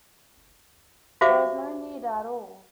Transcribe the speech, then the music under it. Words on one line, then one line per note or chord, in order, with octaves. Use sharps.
There is no need at all.
F#4 G4 C5 E5 F5 D6